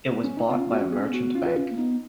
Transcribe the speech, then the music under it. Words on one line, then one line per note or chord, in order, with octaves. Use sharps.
It was bought by a merchant bank.
B3
C#4
D#4
B3 F4
C#4
B3 F#4
C#4
B3 G#4
C#4
B3 F#4
C#4 F4
B4
C#4
A#3
B3 D#4